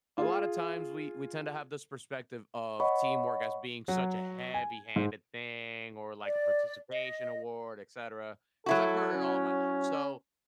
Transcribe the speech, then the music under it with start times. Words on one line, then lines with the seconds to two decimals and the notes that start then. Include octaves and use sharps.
A lotta times, we we tend to have this perspective of teamwork as being such a heavy-handed thing or like a participation award, etcetera, 'cause I've heard it all my life. So,
0.18 F4 G#4
2.80 C#5 D#5 F#5 B5 C#6
3.88 F#3
4.54 G#5
4.96 G#2
6.26 D5
6.91 D#5
8.66 F#3 E4 F#4 A4
9.14 C#4